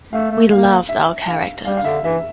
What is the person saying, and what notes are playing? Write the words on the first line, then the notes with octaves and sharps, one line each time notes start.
We loved our characters.
A3 F5
A3
A#3 F5
E5
F5
G3 F5
F5
D3 E5
E3 E5